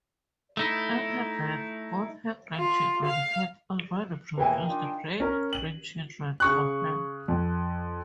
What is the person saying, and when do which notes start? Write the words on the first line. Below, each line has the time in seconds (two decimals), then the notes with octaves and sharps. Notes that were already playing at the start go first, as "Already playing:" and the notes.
At her death, both her grandchildren had already produced great-grandchildren for her.
0.57 A3 D#4 E4
2.55 F4
3.05 F5
4.38 D#2 B2 E3 A#4 G5 G#5
4.68 D4 D#4 F4
5.20 C#4 A#4
5.53 F#7
6.40 C#3 C#6 F#6
7.28 F2